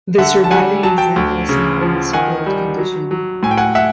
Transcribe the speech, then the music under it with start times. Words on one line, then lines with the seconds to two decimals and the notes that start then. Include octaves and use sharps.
The surviving example is not in as built condition.
0.18 D3 E5 F#5
0.44 A5
0.51 G3 F#5 G#5
0.83 F#3 A5
0.98 G5 A5
1.16 D2
1.49 C#3
1.81 F3
2.13 D#3 F#5 G#5
2.46 G3
2.78 F#3
3.11 F#3
3.43 A2 G#5
3.51 G5
3.57 F#5 G#5
3.75 E5 F#5